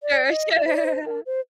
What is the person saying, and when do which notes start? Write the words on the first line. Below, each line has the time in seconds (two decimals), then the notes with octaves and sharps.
Sure, sure.
0.03 D5
0.30 D#5
0.58 D5
0.67 C5
0.75 D5
0.84 C5
1.06 A#4
1.26 C5